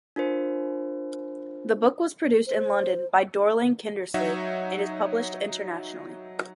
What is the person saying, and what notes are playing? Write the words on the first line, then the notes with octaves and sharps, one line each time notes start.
The book was produced in London by Dorling Kindersley and is published internationally.
D4 F4 A#4 C5
C5
F#3 D#4 C#5 E5 F#5